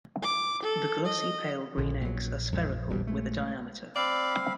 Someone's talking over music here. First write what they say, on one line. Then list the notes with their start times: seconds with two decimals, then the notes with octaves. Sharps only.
The glossy pale green eggs are spherical with a diameter.
0.22 D6
0.63 A4
1.05 D#5
1.78 A#1 D3
2.01 A#2 F#3
2.52 F2 G#3
2.90 D#1 G2 G3
3.07 G#3 A3
3.96 C4 D5 F5 B5